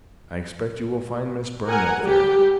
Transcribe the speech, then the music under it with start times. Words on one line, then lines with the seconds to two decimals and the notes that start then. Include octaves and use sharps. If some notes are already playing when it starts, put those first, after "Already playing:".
I expect you will find Miss Byrne up there.
1.68 A#4 F#5 G#5
2.03 G3 G4